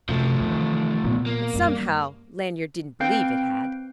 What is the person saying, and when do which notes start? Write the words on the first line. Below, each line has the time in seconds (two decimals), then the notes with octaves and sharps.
But somehow Lanyard didn't believe it had.
0.09 F#2 C3 F3 A3
0.40 D#3 E3
1.04 A#2 B3
1.26 A#3
1.53 F#2 G3
3.00 C4 B4 F5 G5 G6 D7